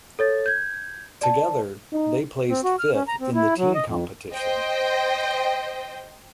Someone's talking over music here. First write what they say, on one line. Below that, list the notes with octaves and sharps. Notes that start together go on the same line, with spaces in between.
Together they placed fifth in the team competition.
A4 C#5 A6
G6 G#6
D5 A5
D#4
C4
F#4
F6
C#4
A#5
C4
E4
F#3
D#5
F2
C5 D#5 G5